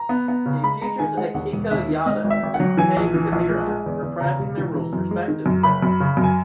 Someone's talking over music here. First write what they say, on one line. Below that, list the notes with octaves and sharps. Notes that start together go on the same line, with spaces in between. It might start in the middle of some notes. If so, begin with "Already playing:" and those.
It features Akiko Yada and Tae Kimura reprising their roles respectively.
Already playing: A#5
B3
B3
C#3
G#3 B5
G#3 A#5
D#3 G#5
G#3 F#5
D#2 F#5
E1
D#2 E5
D#3
G#2 D#5
G#1
E5
G#1
F#5
F#3
E3 G#5
A#1
E3
A#1
G#3
G#3
E2
E2
C#3 A#5
E1
E3
E3
F#2
G#3
D#3
F#2
F#1 B5
F#2
C#3
F#2
G#5